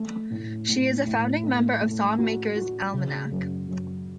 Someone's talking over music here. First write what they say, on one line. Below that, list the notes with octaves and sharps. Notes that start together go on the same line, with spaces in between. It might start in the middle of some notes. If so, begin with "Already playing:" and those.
She is a founding member of Songmakers' Almanac.
Already playing: A3
A2
A2
A2
A3
A3
F#4
F#4
C#3
F#2
F#2